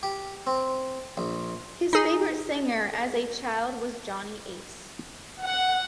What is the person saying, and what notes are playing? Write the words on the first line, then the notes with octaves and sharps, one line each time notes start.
His favorite singer as a child was Johnny Ace.
G4
C4
A#1
D#4 G#4
F#5